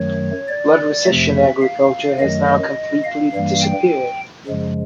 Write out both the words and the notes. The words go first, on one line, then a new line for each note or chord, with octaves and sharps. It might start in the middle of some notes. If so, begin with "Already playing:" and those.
Flood recession agriculture has now completely disappeared.
Already playing: F#2 D#3 F#3 A3 C#5
D5
F2 C3 F3 A3 E5
F5
F#2 D#3 F#3 A3 D#5
D#5
F5
G2 E3 G3 A#3
G5
F#2 C#3 F3 G#3